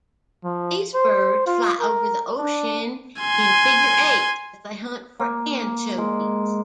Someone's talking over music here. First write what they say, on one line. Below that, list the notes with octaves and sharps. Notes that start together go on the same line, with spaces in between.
These birds fly over the ocean in figure eights as they hunt for anchovies.
F3
C5
F4
A#4
D4
G#5 C6
A#3
G#3